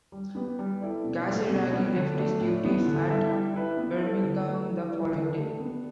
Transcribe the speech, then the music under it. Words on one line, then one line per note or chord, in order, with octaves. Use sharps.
Casiraghi left his duties at Birmingham the following day.
G3
B3 G4 B4
G3
E4 A4 D5
B2
A3 D4 G4
B2
G3 B3
D3
A3 D4
A2
E3 B3
D3
G3 E4 A4 E5
G3
E4 B4 E5
B3
E4 A4
D3
A3 G4 B4
E3
G3 E4 B4 D5
D3
A3 D4 G4
B3